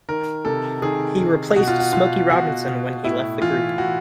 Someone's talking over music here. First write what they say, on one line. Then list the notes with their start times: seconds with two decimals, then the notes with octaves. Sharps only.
He replaced Smokey Robinson when he left the group.
0.08 D#3 A#4
0.45 C3 A4
0.82 D#3 G#4
1.20 D#3
1.56 B2 F#4
1.68 F4
1.80 F#4
1.93 B2 F4
2.30 B2 F#4
2.67 B2
3.04 A2 E4
3.41 E3 F4
3.78 E3 F#4